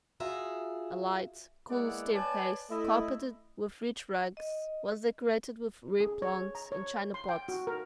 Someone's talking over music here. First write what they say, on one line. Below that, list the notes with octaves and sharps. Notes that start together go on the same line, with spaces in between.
A light, cool staircase, carpeted with rich rugs, was decorated with rare plants in china pots.
F4 F#4 G#4 E5 A#5
G#3 A#3 B3 E4 D5 F#5
B4 C#5 D5 G#5 A5
A3 E4 D#5
D#5
G#4
C#5
A#5
C#5
C6
G5
F#4
A#4